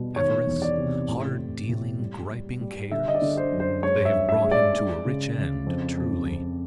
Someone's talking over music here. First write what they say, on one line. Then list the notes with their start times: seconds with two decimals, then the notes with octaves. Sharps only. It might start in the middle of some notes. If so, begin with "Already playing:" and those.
Avarice, hard-dealing, griping cares? They have brought him to a rich end, truly!
Already playing: B2 G3
0.16 D#3 C#5
0.47 E2
0.62 D5
0.77 C3
1.08 A2
1.39 A2
1.69 A2
1.99 G3
2.31 G3
2.61 G3
2.91 D3 E5
3.08 D#5
3.15 D5
3.22 D3
3.37 C5
3.52 F#2
3.60 C5
3.83 G#3 C#5
4.05 E5
4.13 G2
4.29 E5
4.44 G#3
4.51 D5
4.75 G#3
5.05 C#3
5.36 C#3
5.66 F2
5.97 F2
6.27 F2